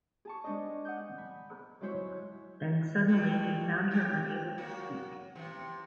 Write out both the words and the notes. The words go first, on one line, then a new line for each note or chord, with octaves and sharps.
Then suddenly he found her unable to speak.
G#4 A5 C#6
G#3 D4 C5 D#5
F#5 D#6 G6
B5
F#3 G#3 E4 C5 C#5
D#3 G3 A3
D3 G4
F#3 A#3 F#4
C3 E3